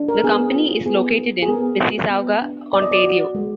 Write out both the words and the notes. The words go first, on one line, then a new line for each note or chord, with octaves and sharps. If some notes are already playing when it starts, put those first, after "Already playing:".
The company is located in Mississauga, Ontario.
Already playing: D4
A#4
B3 G#4
F4
B3 G#4
D#4
G#4
B3 A#4
F#4
B3
D4
B3 D5
D#5
D5
F#4
G#3